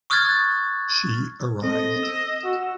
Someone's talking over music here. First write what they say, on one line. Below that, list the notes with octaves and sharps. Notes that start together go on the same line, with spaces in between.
She arrived.
C#6 D#6 F6 F#6 G#6 A6
C4 A4 D#5
E6
F#4